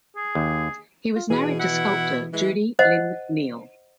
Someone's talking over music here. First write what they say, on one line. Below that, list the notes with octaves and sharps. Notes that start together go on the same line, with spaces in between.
He was married to sculptor Judy Lynn Neal.
G#4
D#2
F4
B2 E3 G#4
E4 F#5
E3 G#3
C5 D#5 F#5